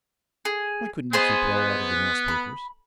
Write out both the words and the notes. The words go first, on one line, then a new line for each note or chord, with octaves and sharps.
"Why couldn't you keep it all out of the newspapers?"
G#4
B3 G#4 C5 D#5
B5